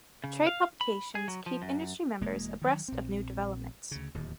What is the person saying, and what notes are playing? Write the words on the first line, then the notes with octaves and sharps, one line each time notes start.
Trade publications keep industry members abreast of new developments.
C#3
F5
B5
G#4
F#3
F3
F#2
E1 G#3 A#3
D#3 F#3
A#1 C4
D2 C#3
D1 D#2